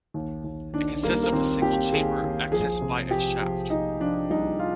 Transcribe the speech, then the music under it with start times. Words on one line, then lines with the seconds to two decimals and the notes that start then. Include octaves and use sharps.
It consists of a single chamber accessed by a shaft.
0.14 D#2
0.44 D#2
0.73 D#3 D4
1.03 G3 A#3
1.23 A#3
1.32 D#2 C4
1.62 D#2 G4
1.93 D#2 G#4
2.22 D#2
2.52 F3 G#4
2.81 C3
3.11 F3 G4
3.40 F3
3.70 F3 D#4
4.00 F3 D4
4.30 C2 D#4
4.59 F4